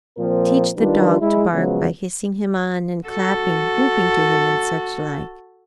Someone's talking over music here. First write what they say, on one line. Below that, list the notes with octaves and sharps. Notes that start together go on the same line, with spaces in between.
Teach the dog to bark by hissing him on and clapping, whooping to him and such like.
A#2 F3 C4 A#4
D#3 G3 D4 F4 B4
G#3 E4
C#3 F3 F#3 G#3 B3
F#4 A4